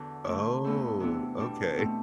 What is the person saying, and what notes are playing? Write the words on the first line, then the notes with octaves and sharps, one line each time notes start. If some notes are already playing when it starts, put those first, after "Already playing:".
Oh, okay.
Already playing: E2 D3 F#3 E4
D3 F#3 A3 E4
E2 B2 A3 C4
C3 E3 B3 D4
B2 G3 D4
B2 A3 C4